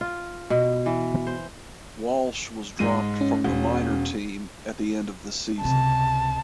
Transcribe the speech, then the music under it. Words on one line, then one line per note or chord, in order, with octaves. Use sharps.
Walsh was dropped from the minor team at the end of the season.
F4
B2
E3
C5
G#2 G#3 D#7
C#4
E1
C#2 C3 A5